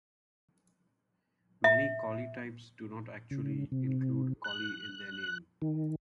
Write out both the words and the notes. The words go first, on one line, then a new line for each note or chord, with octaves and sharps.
Many collie types do not actually include "collie" in their name.
E5
C#3
C3
F#6
D#3